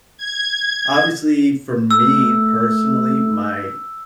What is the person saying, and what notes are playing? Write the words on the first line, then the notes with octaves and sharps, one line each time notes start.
Obviously, for me, personally, my
G#6
A3 E6